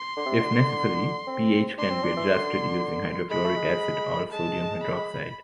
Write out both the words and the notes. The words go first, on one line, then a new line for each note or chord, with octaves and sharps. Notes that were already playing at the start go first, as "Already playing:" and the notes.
If necessary, pH can be adjusted using hydrochloric acid or sodium hydroxide.
Already playing: C6
D3
C3
D3
D3
C4
D4 C6
C4
D4
E3
D3
G#3 B5
A3
G#3
G#3 A5
B5